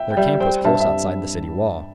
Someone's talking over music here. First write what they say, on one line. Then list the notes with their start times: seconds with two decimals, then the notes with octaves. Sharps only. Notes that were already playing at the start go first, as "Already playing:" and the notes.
Their camp was close outside the city wall.
Already playing: E5 G5
0.11 G5
0.17 G3 E5
0.40 C4 G5
0.64 G2 E5 A5
0.80 E5